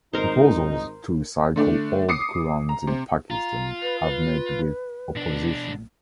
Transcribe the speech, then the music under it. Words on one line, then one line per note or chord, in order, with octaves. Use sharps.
Proposals to recycle old Qurans in Pakistan have met with opposition.
G#1 D#4 A#4 C5
D3 A3 D4
D6 D#6 C7 C#7
A#5
C3
F4 A#5
B4
B4
B2 D4